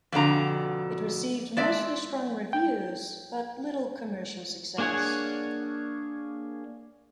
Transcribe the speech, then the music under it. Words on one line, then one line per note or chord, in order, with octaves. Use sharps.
It received mostly strong reviews but little commercial success.
F2 B2 D3 A#5
G#3 D5 E5
G5
A#3 D4 G#4 C#5 F#5